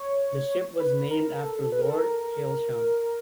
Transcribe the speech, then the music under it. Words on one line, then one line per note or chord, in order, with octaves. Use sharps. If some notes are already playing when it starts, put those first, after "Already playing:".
The ship was named after Lord Hailsham.
Already playing: C#5
B4
A#4
A#4
A4
B4
A#4
A4
A#4